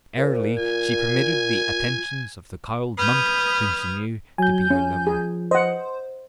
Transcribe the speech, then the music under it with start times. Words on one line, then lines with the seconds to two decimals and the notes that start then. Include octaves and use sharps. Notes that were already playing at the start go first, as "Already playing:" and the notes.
Early she permitted the attentions of the cowled monk whom she knew to be her lover.
0.17 A#2 C5
0.58 F4 G#5
2.97 B4 D#6 F6 G6 G#6
4.38 F#3 G#5 G6
4.70 F3 C#4
5.07 G#4
5.51 C5 D#5 F#5